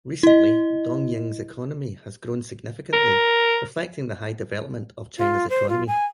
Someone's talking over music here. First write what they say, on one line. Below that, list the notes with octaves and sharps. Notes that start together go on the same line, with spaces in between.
Recently, Dongying's economy has grown significantly, reflecting the high development of China's economy.
E4 D#5
A#4
F4
C5
F4
G#5